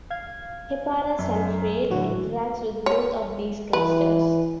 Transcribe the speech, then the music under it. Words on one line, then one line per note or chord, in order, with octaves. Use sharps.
Heparan sulfate interacts with both of these clusters.
F5 G#6
F#2
A2 D3 E3 F#3 F#4
C#5
E3 B4